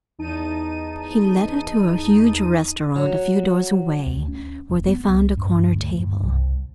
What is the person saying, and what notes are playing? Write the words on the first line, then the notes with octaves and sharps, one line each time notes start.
He led her to a huge restaurant a few doors away, where they found a corner table.
E2 D#4 A5 D#7
F#3
D2
C#4
F1
B3
C2
G2
D2
G2
C2